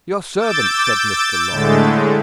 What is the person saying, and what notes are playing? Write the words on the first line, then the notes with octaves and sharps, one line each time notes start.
"Your servant," said Mr. Lorry.
D6 E6 G6 A6
A2 D3 G#3 A3